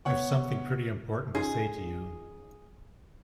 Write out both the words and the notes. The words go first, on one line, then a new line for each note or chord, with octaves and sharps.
I’ve something pretty important to say to you.
B3 C#5 F#5 C#6
C#4 D#4 F4 G#4